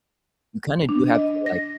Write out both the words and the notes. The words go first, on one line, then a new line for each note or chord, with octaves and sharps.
you kind of do have to, like,
D4
D#5
A#6